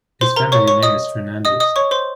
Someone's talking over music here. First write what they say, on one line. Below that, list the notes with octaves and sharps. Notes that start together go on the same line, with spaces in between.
His family name is "Fernandes".
C5 C6
A#4 A#5
C#5 C#6
C#5 C#6
D#5 D#6
D#5 D#6
D#5 D#6
C#5 C#6
C5 C6